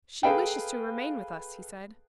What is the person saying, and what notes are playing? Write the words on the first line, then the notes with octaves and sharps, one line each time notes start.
"She wishes to remain with us," he said.
G#4 A4 B4 F5 G5